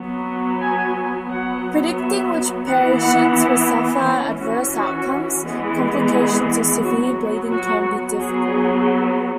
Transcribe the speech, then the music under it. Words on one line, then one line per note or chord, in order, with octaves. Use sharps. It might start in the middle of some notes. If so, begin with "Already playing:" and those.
Predicting which patients will suffer adverse outcomes, complications or severe bleeding can be difficult.
Already playing: F#3 B3
G#5
F#3 B3 F#5
E5
E3 B3 F#5
F#5
E4
E3 C#4
F#4
F#4
E3 G#3 B3
G#4
F#3 B3 F#4
F#4
F#3 B3 G#4